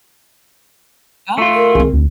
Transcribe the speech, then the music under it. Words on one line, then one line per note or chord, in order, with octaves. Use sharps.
Oh, fun.
A3 F4
A#4
C2 G#3 C4
D2